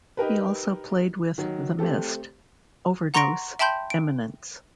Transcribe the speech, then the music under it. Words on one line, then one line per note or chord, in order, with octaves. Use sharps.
He also played with The Mist, Overdose, Eminence.
D#4 G4 A#4 B4
D#3 F#3
A3 C4 G4 A4
F#5 A#5 C6 C#6 A#6 D7
E5 G5 A5 B5 C6 G6
D7